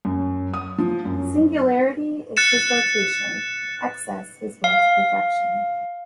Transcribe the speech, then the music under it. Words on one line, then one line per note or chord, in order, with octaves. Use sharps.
Singularity is his vocation, excess his way to perfection.
F#2
D#6
F3
F#2
F#6 A6 C#7 E7
F5